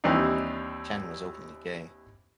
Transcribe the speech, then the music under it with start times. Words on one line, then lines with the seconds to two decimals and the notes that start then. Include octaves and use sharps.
Chen was openly gay.
0.04 D#2 E3 G3 C4 D4 D#4